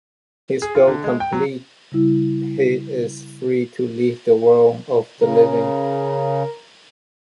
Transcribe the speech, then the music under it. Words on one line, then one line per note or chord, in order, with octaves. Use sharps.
His goal complete, he is free to leave the world of the living.
G#4
F4
D3
G#3
G5
F#3
C#3 G3 E4
C#3 A#4